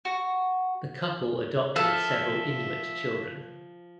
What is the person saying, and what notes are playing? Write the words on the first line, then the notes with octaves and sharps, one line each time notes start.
The couple adopted several Inuit children.
F#4
F3 A4 E5 F5